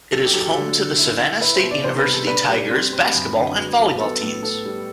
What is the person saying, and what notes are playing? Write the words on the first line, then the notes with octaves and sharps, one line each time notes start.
It is home to the Savannah State University Tigers basketball and volleyball teams.
F#3 A4
G4
F#3
G4
D3 A4
D3
E4
E4
E4 B4
C5
B2
D5
C3 C5
B4
G3
A4
D4 B4
G3
C4
C4
F#2
D3
F#3
F#3
B3 A4
A2 A4
B3 A4
G3